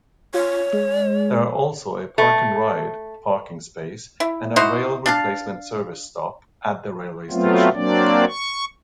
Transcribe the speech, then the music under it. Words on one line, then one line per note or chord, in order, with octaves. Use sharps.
There are also a park&ride parking space and a rail replacement service stop at the railway station.
F4 C#5
G#3
A3
E4
D#4 E4 F#4 C5
D4 F5 A5
F#3 A3 B3 C4 F4
F#3 A#3 C4 D4 D5
C#6